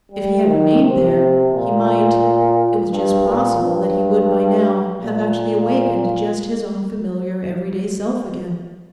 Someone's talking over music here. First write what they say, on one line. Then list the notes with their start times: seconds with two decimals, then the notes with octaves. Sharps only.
If he had remained there, he might, it was just possible that he would by now, have actually awakened just his own familiar every-day self again.
0.12 G3
0.46 D#3
0.82 C3
1.52 A#2
2.91 G2
3.26 A#2
3.62 G2
5.01 A#2